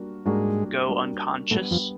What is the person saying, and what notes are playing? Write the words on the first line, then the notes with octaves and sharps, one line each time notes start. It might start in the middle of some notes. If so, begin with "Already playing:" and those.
go unconscious?
Already playing: G3 A#3 D4 F#4 A#4
G#2 G3 G#3 A#3 D4 F#4 A#4
G3 A#3 D4 F#4 A#4
A2 G3 A3 B3 D4
F2 F3